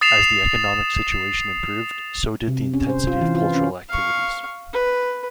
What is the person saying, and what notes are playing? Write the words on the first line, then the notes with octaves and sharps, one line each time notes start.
As the economic situation improved, so did the intensity of cultural activities.
D#6 A6 C7 E7 F7
C3
C#4
C5
F4
E3
F4
C#4
F5 C#6
B4